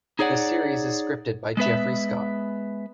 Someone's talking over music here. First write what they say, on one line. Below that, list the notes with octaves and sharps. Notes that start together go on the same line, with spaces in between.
The series is scripted by Jeffery Scott.
D#4 G#4 C#5 D5 F#5
G#3 B3 B4 E5